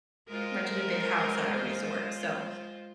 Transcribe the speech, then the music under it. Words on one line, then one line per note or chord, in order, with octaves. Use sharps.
rented a big house at a resort. So,
G#3 F4 A#4 C5